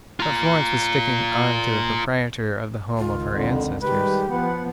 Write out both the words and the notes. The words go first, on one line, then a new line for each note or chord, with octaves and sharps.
But Florence was sticking on to the proprietor of the home of her ancestors.
F4 A#5
C#2 D#3 F4
F2 D3
D#3 G3 G#3 G4 B4
F3 B3 B4 F#5